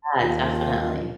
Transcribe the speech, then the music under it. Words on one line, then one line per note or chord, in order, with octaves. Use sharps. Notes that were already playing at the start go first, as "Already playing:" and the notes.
Yeah, definitely.
D#2 F4